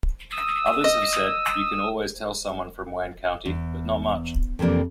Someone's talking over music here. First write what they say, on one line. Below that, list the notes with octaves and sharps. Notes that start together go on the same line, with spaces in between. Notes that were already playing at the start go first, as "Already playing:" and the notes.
Others have said, You can always tell someone from Wayne County, but not much.
D#6 E6
D#5
E2
F2 C3 E3 A#3 D4